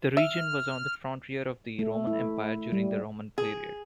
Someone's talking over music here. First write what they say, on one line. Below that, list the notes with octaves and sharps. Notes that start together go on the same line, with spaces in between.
The region was on the frontier of the Roman Empire during the Roman period.
E5 F6
A3
E4
G3
G#4